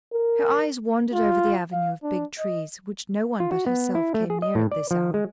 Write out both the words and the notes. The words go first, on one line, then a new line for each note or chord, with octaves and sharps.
Her eyes wandered over the avenue of big trees, which no one but herself came near at this hour.
A#4
F4
F5
D4
D#5
F4
F#4
B3
E4
A3
G#4
D#5
A2
D5
F3
G#3